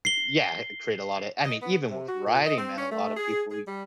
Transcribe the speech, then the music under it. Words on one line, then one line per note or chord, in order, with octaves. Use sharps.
Y yeah create a lotta I mean, even with writing, man, a lotta people e
C7 G7
D#5
B3
C3
F#4
A#2
D#5
C4
C#4
A3
G#4
G#4
G3